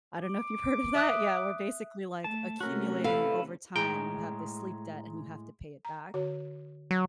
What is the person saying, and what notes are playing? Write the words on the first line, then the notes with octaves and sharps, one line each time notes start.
I don't know if you've heard of that? Yeah, where basically, like, accumulating over time, you have this sleep debt and you have to pay it back.
D6
E5 D#6 F#6
A3 A5
C3 A3 C#4 F#4 A#4
E4 A4 B4 F5
A2 G#3 G#4 G5 A#5
A#5
D3 F#4 C#5
F#3